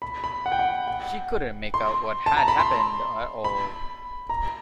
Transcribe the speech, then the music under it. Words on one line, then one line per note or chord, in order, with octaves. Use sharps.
She couldn’t make out what had happened at all.
B5
B5
F#5
G5
F#5
F#5
C6
A5
A#5
B5
C6
B5
A#5